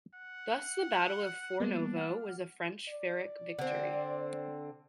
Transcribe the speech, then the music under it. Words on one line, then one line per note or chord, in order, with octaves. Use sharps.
Thus, the battle of Fornovo was a French pyrrhic victory.
F#5
G3 A#3 B3 D4
F#5 F6
D5
D3 C4